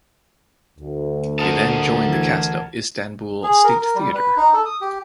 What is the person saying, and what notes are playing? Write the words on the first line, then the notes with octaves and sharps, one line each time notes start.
He then joined the cast of Istanbul State Theatre.
D2
A#4 F#5 A5 D#6
E3 G#6
G#4
A#4
A#4
G3
B4
D#4
A4
D#6
G4